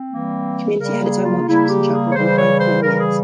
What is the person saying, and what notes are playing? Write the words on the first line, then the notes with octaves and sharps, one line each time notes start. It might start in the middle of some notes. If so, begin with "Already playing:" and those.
The community had its own workshops and chapel, and thrived for many years.
Already playing: C4
E3 G3 A#3
C#3 G3 A#3 A#4
G#4
F4
C#3 G3 A#3 E4
G4
G#4
C#5
C#3 E3 G3 C5
C#5
C5
C#3 E3 G3 A#4
G#4